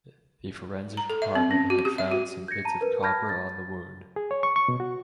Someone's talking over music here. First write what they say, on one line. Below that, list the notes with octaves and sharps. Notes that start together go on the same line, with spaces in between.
The forensic department had found some bits of copper on the wound.
A#5
A4
E5
C4
C#4
F#4
G4
E5
F#4
G6 G#6 A#6 C#7
A5 A#5 D#7
A#4 B4
A5 B5 F6 G6 G#6 A#6
A6
G#4
C#5
C#6
C#6
B2
F#4